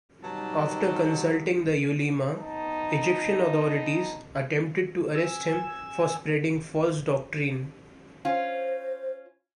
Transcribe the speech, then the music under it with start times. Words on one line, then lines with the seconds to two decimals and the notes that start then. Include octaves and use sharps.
After consulting the Ulema, Egyptian authorities attempted to arrest him for spreading false doctrine.
0.24 B2 F#3 G3 D#4 A5
2.38 B3 D#4 A5 A#5
5.16 G#5 E6
8.25 C#4 F4 C5